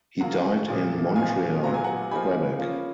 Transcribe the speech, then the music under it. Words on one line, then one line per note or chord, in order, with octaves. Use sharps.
He died in Montreal, Quebec.
C#3 F#3 A#3 F4 F#5 A#5
A#2 F3 G#3
A#2 F3 B3 D#4 F5 G#5
A#2 F#3 B3 F4 A#5
G#5
F#5 A#5
F3 A#3 D#4 G#5 B5
F3 A#3 C#4 F4